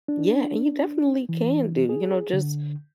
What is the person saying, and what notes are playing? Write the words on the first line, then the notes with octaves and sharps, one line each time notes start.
Yeah, and you definitely can do, you know, just
D4
E3
G#4
D3